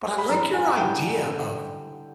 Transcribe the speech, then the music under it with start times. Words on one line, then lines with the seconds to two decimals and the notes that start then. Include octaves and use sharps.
But I like your idea of
0.18 B5
0.29 G2 E3 G3 A#5
0.42 B5
0.53 G#5
0.66 F#5
0.77 G2 E3 G3 G5
1.26 D3